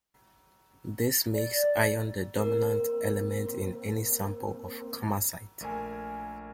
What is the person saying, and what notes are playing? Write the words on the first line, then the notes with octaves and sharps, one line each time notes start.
This makes iron the dominant element in any sample of kamacite.
D5
A#3 C4 A#4
A#1 A3 A#4 G#5